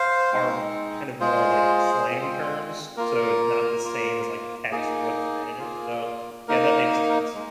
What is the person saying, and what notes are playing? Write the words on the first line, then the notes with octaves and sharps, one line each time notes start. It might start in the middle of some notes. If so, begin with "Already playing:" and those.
are kind of more like slang terms. So it's not the same as, like, textbook Spanish. So, yeah, that makes sense.
Already playing: C5 F5
G#3 C4 D#4
G#3 F4 G#4 C5
G#3 C4 F4
A#3 F4 A#4
A#3 F4
A#3 D#4 G#4
A#3 F4
A#3 D#4 A#4
G#3